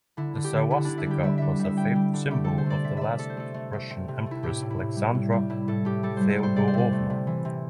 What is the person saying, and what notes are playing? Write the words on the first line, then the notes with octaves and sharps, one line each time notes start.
The sauwastika was a favorite symbol of the last Russian Empress Alexandra Feodorovna.
D3 E4
D3
G4
D3
D3 E4
D3 D4
E4
G3 G4
G3 E5
D3 E5
G3 E5
G3 G5
G3
D3
A3 G4
C3 A4
C5
A3 D5
C3 E5
A3 D5 E5
A3 A4
C5
A3 A4
A3
A3
C3
C3
A3 E4
A2 G4
A2
E4
A2
G3
A2
G3
A2 E4
A2 A4
A2 G4
G3 A4
G3 C5
A4
A2 C5
C3 D5
C5
C3 D5
A3
C3
E3
C3